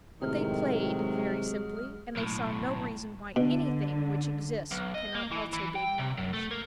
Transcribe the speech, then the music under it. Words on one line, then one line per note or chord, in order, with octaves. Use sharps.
But they played, very simply, and they saw no reason why anything which exists cannot also be acknowledged.
A2 C3 D#3 F#3 G#3 G#4 F6
B1 A2
B2 D3
B1
D#5
A#3
E3
E3
G5
C3
F#2
A3
A#3